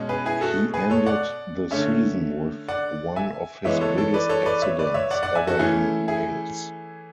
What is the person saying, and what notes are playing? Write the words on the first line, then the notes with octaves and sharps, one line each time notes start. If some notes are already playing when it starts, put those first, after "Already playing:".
He ended the season with one of his biggest accidents ever in Wales.
Already playing: B2 G#3 C#4
G#4 B4
E4 G#4
F#4 A4
G#4 B4
A4 C#5
D5 F#5
D3 A3 C#4 C#5 E5
D5 F#5
E5 G#5
E3 G#3 B3 C#5 E5
A4 C#5
A4 C#5
B4 D5
A4 C#5
B4 D5
C#5 E5
B4 D5
C#5 E5
D5 F#5
D5 F#5
E5 G#5
F#4 A4
E3 A3 C#4 E4 G#4
E4 G#4